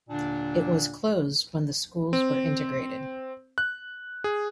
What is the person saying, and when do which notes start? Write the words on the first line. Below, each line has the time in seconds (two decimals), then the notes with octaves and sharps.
It was closed when the schools were integrated.
0.10 D#2 A#2 D3 D4
2.13 C4
3.58 F#6
4.24 G#4